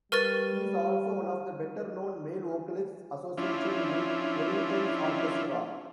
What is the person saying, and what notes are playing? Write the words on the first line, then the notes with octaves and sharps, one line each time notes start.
He is also one of the better known male vocalists associated with Ellington's orchestra.
G3 A#4 B4 C#6 F6 A6 D#7
F3 C#4 D4 E4 F4